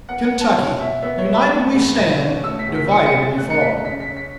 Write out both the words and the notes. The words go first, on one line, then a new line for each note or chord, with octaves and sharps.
Kentucky--United we stand, divided we fall.
B3 F#5
F#5
B3
A5
B2 C#5
B2 E5
B3 E5
C#5
B3
B5
A3
E2
B2
C#4
A3 E6
B6
E2
B6
B2 C#7
C#7
C#4
A6
A3 F#6
C#7
F#2 B6
C#3 B6
B6
C#4
B6